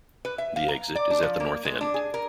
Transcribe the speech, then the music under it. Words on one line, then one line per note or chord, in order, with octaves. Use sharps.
The exit is at the north end.
B4
E5
F5
A#5
D5
D4
F3
A#3
G#3
D4
G#4
A#4